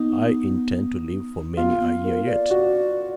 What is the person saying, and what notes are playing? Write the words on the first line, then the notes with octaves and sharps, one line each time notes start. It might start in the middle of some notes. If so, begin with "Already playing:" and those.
"I intend to live for many a year yet."
Already playing: B3 D#4
B3 F4
B3
A#4
D5
F#4